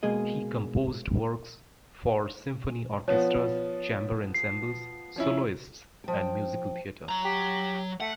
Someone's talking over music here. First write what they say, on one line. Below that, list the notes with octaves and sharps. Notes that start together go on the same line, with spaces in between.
He composed works for symphony orchestras, chamber ensembles, soloists and musical theatre.
B2 G#3 A#3 G#4 D#5
F3 B3 C#5
C7
F3 C#4 E4
F3 G5
F#3 A#5
G4
A3 F#5